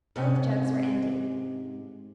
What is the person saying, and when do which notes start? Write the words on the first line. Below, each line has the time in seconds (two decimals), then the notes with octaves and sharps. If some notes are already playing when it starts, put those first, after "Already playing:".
Both jugs were empty.
0.16 G#2 C3 C#4